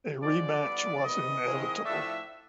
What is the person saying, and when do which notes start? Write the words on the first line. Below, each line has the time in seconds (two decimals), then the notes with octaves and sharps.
A rematch was inevitable.
0.22 D3 F3 G#3 D5
0.63 D3 G3 B3 E4
1.03 C3 D#3 G3 B3 E4 D#5
1.43 G#2 D#3 G#3 C4 E4
1.84 A2 F3 A3 D4 E5